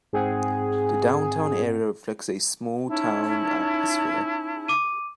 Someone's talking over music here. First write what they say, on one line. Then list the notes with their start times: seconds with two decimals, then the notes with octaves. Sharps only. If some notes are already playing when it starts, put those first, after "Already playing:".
The downtown area reflects a small-town atmosphere.
0.13 G#2 C4 G#4 F#5
2.88 C#4 D#4 E4 A5
4.68 D6 D#7